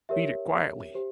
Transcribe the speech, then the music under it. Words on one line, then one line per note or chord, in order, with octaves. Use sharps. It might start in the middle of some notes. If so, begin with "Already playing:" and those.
"Beat it quietly."
G4 A#4 C#5 E5
G4 C5